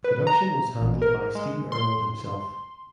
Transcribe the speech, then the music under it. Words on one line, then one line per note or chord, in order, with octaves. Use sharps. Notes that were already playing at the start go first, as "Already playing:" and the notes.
Production was handled by Steve Earle himself.
B4
A#5
A1
A#4
G#3
C6